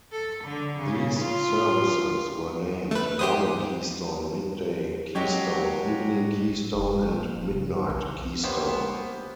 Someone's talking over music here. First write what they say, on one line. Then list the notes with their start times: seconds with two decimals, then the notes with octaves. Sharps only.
These services were named "Morning Keystone", "Midday Keystone", "Evening Keystone", and "Midnight Keystone".
0.12 A4
0.44 D3
0.80 C#3
1.20 F4
2.91 A3 B4
3.19 G4 C5 D#6
5.15 F#3 G#3 G4 C#5
6.48 F#3
6.74 F1
7.12 A#2
7.50 G2 C#3
7.89 B1 E2
8.43 A#3 B3 C#4 G4 C5